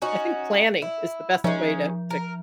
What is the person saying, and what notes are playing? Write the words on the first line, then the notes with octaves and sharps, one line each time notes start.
I think planning is the best way to to,
C#4 D#4 F#4
E4
F3 G#3 C#4
A#4